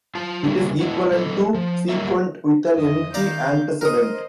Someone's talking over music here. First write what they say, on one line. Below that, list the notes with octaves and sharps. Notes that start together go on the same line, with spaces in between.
It is equivalent to a sequent with an empty antecedent.
F4 A5
C#3 G3 A#3 C#4 E4 G4
G#3 E4 F#4
F#3 A4
F3
F#3 G3 A#3 A#4 E5
F2 D#5 E5
D#3 D5 F5 A#5 G6
A#4 C5 D#5 D#6